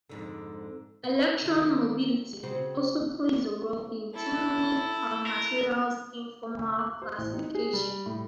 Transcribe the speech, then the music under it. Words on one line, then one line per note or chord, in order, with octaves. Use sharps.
Electron mobility also plays a role in determining a material's informal classification.
F2 G#2 D3
B3
D3 D#3
C#3 C4 F#4
E4 A4
A#4
D2
F#6
C5
A1
D#4
G#4
G3
A2